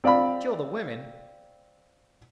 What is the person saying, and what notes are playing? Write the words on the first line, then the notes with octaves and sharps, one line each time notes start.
Kill the women?
C4 D5 F5 B5